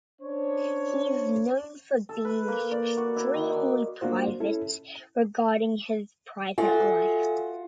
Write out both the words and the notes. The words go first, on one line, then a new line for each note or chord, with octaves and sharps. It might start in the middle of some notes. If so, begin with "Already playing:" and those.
He is known for being extremely private regarding his private life.
C#4 D4 C5 C#5
A4
B4
A#3
D5
F#4
E4
D#3
D6
A#3 D4 F4 F#4 C5
C#4 E4 A4
F4 F#4 A4 E5 G#5